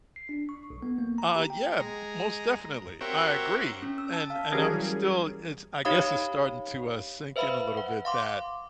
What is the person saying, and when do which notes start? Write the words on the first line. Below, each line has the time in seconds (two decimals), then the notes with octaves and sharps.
Uh, yeah, m m most definitely, I agree, and and I'm still it's I guess it's starting to, uh, sink in a little bit that
0.16 C7
0.29 D4
0.49 C#6
0.70 B1
0.83 B3
0.98 A#3
1.18 A#5
1.36 G4
1.50 G5
1.80 G#3 A#5
3.01 C4 F#4 G4 A#4 C#5 E5
3.82 C#4
3.98 E6
4.13 A5
4.30 F5
4.52 E3 F#3 G3 C#4 G#4 A#4
5.85 D#4 G4 C#5 F5 B5 D#6
7.36 B4 C5 E5 F5 B5
7.77 F#5
8.05 F5 C6 D6